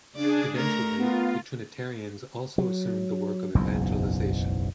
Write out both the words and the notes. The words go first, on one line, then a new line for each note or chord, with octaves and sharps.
Eventually, the Trinitarians also assumed the work of evangelization.
C#3 D4 G#4 D5
A3 A#4 A#5
B3 F4
F#3
F#1 B1 E2 G#2